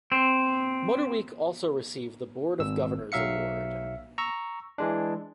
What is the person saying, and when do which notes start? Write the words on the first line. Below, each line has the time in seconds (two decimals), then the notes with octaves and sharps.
Motorweek also received the Board of Governors Award.
0.12 C4
2.59 G#1 E6
3.12 B1 F#3 E5 F5 C#7
4.18 A#5 C#6 E6
4.78 E3 G#3 D4